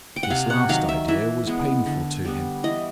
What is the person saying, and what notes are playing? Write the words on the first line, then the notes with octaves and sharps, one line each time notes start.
This last idea was painful to him.
G5
F#5
C3 F5
F#5
D#3 F#3 F5
E5
E3 E5
G#3 B3
D3
G3 B3
E3 D#5